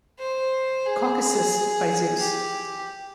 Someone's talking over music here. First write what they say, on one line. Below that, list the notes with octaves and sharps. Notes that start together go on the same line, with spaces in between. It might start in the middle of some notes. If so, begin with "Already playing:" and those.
Caucasus by Zeus.
C5
G#4
G4